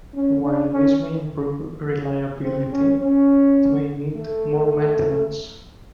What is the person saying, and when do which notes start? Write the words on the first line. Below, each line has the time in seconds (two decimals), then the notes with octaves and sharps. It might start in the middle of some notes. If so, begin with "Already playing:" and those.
While this may improve reliability, it may need more maintenance.
0.15 C#4
0.43 D4
0.72 C#4
2.42 C4
2.71 C#4
2.99 C#4
4.13 A3